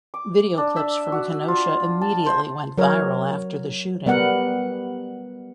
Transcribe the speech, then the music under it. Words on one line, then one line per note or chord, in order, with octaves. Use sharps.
Video clips from Kenosha immediately went viral after the shooting.
D6
D4
E5
F#4
F4
A5
C5
F#3 A#4 C#5
G3 B3 A#4 F#5